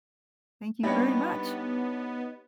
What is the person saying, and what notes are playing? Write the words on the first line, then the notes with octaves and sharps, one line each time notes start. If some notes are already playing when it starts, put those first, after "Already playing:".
Thank you very much.
G3 B3 D4 D#4 G4 B4 C#5